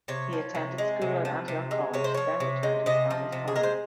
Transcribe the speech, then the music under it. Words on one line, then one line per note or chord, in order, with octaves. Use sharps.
He attended school at Antioch College then returned to his family's farm.
C3 C#5
F3
C3
G#3
C3
F3
C3
G#3
C3 C#5
C5
F3 C#5
C3
G#3
C3 D#5
F3
C3
G#4
G#3 A#4
C5